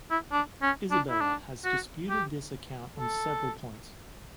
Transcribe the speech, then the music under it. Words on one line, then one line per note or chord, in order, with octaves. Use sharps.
Isabella has disputed this account on several points.
E4
D4
C#4
D4
E4
D4
F#4
G4
A4